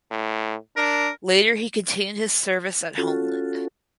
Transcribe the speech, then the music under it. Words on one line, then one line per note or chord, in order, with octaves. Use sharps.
Later he continued his service at homeland.
A2
D4 A#4
C#4 F4 F#4 A4